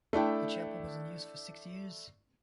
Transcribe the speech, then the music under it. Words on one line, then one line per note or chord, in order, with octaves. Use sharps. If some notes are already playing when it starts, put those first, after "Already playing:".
The chapel was unused for six years.
A3 D4 E4 G5